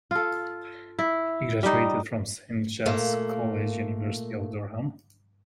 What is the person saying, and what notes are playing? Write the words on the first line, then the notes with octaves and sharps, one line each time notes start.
He graduated from Saint Chad's College, University of Durham.
F4 A4
E4
G3 D#4
A#2 A3 A#3